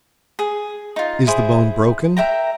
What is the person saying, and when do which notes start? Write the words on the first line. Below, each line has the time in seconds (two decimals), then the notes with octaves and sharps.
Is the bone broken?'
0.39 G#4
0.96 D#4 F4
1.27 E4 G#4 C5
2.17 A#4 E5 G5 A#5